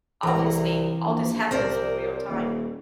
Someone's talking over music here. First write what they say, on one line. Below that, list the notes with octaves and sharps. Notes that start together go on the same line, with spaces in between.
Obviously, all this happens in real-time.
C2 E3 A#5
A#1
C2 A#4 C5 D5
D#1